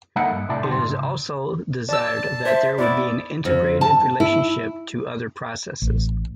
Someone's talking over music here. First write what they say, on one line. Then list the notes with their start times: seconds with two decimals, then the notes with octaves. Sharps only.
It is also desired that there would be an integrated relationship to other processes.
0.16 G#3 A#3 D#4 E4 A4 F#5
0.32 G2
0.49 C2 A2 E4 D5 A5
0.63 D3 D#4 F#4 G4 C5 C6
0.75 G#2 D4
0.91 C#2
1.89 D5 A5 E6
2.46 C5 E5
2.79 B3 E4 D5
3.45 F2
3.81 A5
4.20 E4
5.82 A1